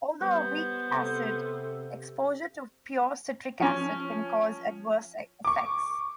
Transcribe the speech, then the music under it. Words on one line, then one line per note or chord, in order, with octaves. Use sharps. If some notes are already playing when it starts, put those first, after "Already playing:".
Although a weak acid, exposure to pure citric acid can cause adverse effects.
G3 B3 C5
C3 A4
F3 C#4
C#6 D6